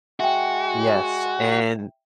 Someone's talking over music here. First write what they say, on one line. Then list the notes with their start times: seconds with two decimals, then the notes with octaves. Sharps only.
Yes, and
0.20 G#3 F#4 E5 G5